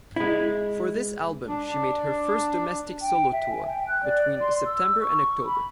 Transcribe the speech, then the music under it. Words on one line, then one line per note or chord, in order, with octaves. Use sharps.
For this album she made her first domestic solo tour between September and October.
G#3 E4
D4
G5
E5
G#5
G5
F#6
D5
C6
E6
C#6
B5